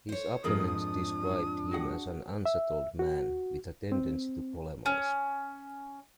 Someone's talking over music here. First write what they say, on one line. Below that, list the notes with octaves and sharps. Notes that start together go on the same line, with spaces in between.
His opponents described him as an unsettled man with a tendency to polemise.
C5 C#5
F2 G#2 F3 D4 G#4 A#4 D#6
F#4 G#4 F#5
E5
F#4
C4
C#4